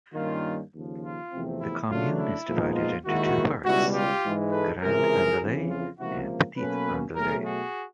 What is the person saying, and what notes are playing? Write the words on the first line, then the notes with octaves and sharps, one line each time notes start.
The commune is divided into two parts, Grand-Andely and Petit-Andely.
G2 D#3 G3 A#3 C#4 F4
D#2 C#3 F3
F4
E2 C3 F3 A3 C4
E4
C#3 F#3 A3 D4 F4
E4
A#2 F3 G#3 B3 D#4
F4
D#2 D#3 G#3 E4 F#4
C#2 B2 G3 E4 F#4
F4 G4
G#2 E3 G#3
A4 B4
C#2 C3 E3 G#4 A#4
F2 C#3 E3
F4
C#2 C3 F3 A#3 E4 F#4
B2 F#3 A#3 C#4 A4 B4
B2 F#3 A3 G#4 A#4
F#4 G#4